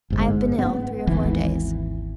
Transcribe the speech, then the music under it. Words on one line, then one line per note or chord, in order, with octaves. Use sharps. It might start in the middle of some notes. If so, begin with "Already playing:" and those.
I have been ill three or four days.
G1 G#2
B3
G#1 D#2 E3